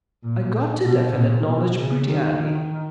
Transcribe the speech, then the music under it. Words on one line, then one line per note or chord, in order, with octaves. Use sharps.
I got to definite knowledge pretty early.
A#2
B2
A#2
B2
C#3
D#3
D#3